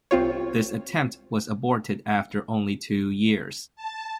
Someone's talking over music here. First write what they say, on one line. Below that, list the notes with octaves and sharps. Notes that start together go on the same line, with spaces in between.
This attempt was aborted after only two years.
C2 C4 F4 C#5
A5